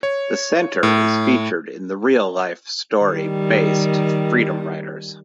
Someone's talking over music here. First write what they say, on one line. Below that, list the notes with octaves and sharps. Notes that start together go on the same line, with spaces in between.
The center is featured in the real-life-story-based Freedom Writers.
C#5
A2
D#3 G3